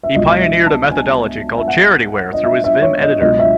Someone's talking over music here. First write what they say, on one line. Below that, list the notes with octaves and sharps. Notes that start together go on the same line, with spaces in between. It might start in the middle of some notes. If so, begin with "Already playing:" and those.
He pioneered a methodology called charityware through his Vim editor.
E5
C#2 B2 F#3 D#5
E5
A5
G#5
E5
F#5
D#5
E5
E5
C#5
D#5
C#2 B2 F#3 D#5
E5